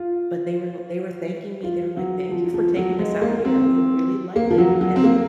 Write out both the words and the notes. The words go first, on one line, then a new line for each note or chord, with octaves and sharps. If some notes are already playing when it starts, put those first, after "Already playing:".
but they were l they were thanking me, they were like, "Thank you for taking us out here. We really liked it." and
Already playing: F4
F4
F#3
F3
F3
F#3
G#3
A#3
C4
A#3
F3
F#3
F#3
C4
A#3